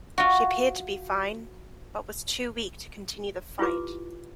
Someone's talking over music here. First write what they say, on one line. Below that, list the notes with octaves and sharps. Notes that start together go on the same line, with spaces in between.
She appeared to be fine, but was too weak to continue the fight.
F4 F#4
E4 F4 G4 B4 D6